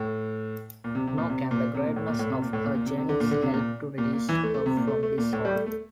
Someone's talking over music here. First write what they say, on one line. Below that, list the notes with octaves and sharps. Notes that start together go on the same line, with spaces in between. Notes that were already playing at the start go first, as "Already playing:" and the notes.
Nor can the greatness of her genius help to release her from this horror.
Already playing: A2
A#2
C3
C3
A#2
C3
A#2
C3
A#2
A2
A#2
A2
C3
A#2
A2
A#2
A#2
C3
C3
D3
A#2
D3
C3
A#2
A#2
A#2
E3
A3
A3
C3
A#2
A3
A3
A#2
A2
G3
A3
A3